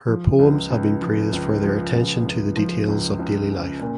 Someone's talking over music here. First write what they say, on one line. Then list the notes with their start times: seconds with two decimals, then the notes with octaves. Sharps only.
Her poems have been praised for their attention to the details of daily life.
0.08 F3
0.39 C#2
0.70 C#2
1.02 F3
1.33 C#2
1.63 F3
1.94 C#2
2.26 C#2
2.57 F3
2.88 C#2
3.19 C#2
3.51 C#3
3.81 A#2